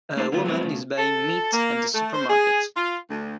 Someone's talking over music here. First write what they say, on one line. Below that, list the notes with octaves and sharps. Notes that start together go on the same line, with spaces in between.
A woman is buying meat at a supermarket.
A3 A#3 D#4 A4 C5
D3 D#3 A3 B3 F4
F#3 G3 A3 B3 C4 E4
B1 F#2 C#3 A3
A4
A#3
A3
C5
G#4
F4
D2